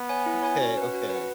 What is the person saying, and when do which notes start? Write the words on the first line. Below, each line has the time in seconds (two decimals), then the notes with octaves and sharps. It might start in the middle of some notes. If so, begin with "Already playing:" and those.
Okay, okay.
Already playing: B3
0.09 C#5 G#5
0.26 E4
0.43 C#5 G#5
0.60 C#4 F#4
0.77 B4 F#5
0.94 F#4
1.10 B4
1.15 F#5